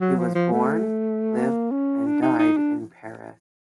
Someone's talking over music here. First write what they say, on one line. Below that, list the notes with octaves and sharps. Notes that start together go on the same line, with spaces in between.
He was born, lived and died in Paris.
F#3
F3
F3
A3
A#3
C#4
D4
D#4
D#4
D4